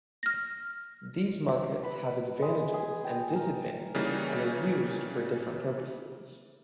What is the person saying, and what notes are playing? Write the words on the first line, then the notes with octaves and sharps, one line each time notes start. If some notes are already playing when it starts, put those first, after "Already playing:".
These markers have advantages and disadvantages and are used for different purposes.
F6 A#6
B4
G#3
G#4
G5
A#4
C#3 E3 G3 A#3 C#4 D#4